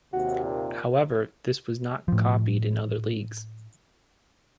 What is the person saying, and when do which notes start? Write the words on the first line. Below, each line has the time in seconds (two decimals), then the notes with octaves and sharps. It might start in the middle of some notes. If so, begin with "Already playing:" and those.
However, this was not copied in other leagues.
0.13 D#2 C3 F#4
0.44 A#2
2.08 A2 F3